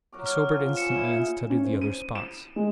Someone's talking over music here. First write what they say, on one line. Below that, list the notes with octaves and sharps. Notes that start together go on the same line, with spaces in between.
He sobered instantly and studied the other spots.
F#3 A#4 D6
F6
F3 G#4
C#3 G#4 C#7 E7
A#2 D#4 E4
C#4
C5
D#7
E7
G#3